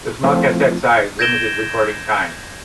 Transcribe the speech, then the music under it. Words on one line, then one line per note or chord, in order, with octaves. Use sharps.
The small cassette size limited recording time.
F3 A3 C4 E4 F4
G6 G#6 A#6 D7 E7 G7